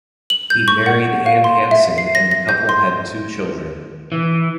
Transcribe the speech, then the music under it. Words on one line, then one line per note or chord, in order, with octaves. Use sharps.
He married Ann Hanson and the couple had two children.
F#7
G6
C#6
F#5
F5
C6
E5
C7
A#6
A#6
G6
C6
E3